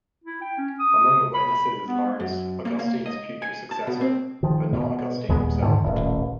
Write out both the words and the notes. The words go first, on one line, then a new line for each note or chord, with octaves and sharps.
Among the witnesses is Laurence, Augustine's future successor, but not Augustine himself.
E4
G5
C#4
D#6
B5
B3
F#2
A#3
A#3
D#5
G#5
A5
B2
C4
D#3 F3
B2
D#2 A#2 G#3 B3
G#2 D3 D#3
D#1 A1